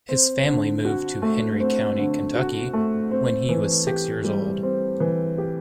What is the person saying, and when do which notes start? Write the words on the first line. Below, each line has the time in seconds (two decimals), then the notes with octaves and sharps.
His family moved to Henry County, Kentucky, when he was six years old.
0.09 C4
0.46 D3
0.85 F#4
1.22 A3
1.60 C4
1.98 D3
2.36 F#4
2.73 A3
3.11 C4
3.49 E3
3.87 G4
4.24 G3
4.63 C4
5.00 E3
5.38 G4